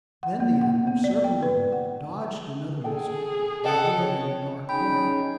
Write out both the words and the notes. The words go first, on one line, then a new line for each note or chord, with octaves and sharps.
Then the animal circled the room, dodged another missile, and hid in a dark corner.
F#5
A#3
F#5
B3
D5
G5
B4
F#5
G#4 A4 G5
A4 D#5 F#5 G5
C#5
C#4 D#4 G#4 G5 B5